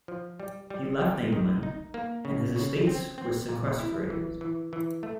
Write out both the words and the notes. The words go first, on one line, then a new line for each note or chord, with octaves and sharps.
He left England, and his estates were sequestrated.
F3
G3
G3
G3
D#3
D#4
A#3
C#3
C#3
C4
C4
A#2
E4
E3
E3
E3
A3